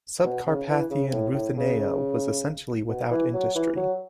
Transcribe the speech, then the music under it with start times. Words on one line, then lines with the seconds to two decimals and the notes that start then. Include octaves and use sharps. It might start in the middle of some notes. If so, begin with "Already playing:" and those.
Subcarpathian Ruthenia was essentially without industry.
0.25 B2
0.47 C#3
0.69 E3
0.91 C#3
1.12 A2
1.34 A2
1.57 C#3
2.89 B2
3.11 E3
3.34 F#3
3.56 E3
3.77 F#3